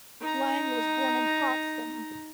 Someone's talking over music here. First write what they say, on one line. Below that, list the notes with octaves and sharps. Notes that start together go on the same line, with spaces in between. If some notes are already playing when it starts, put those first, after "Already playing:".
Lange was born in Potsdam.
D#4 A#5